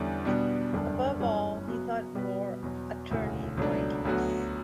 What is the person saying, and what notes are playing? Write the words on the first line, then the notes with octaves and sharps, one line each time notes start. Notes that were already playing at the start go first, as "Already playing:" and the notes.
Above all, he thought war utterly pointless.
Already playing: E2 D3 G3 C#4 E4
B2 G3 B3 D4
F#1 E2 D3 G3 D4
G1 G2 E3 G3 C#4
C#3 F#3 B3 F#4
B2 G3 B3 F#4 B4
E2 B2 F#3
E1 D2 C#3 E3
C#2 B2 F#3 A3 D4
D2 D3 F#3 B3 F#4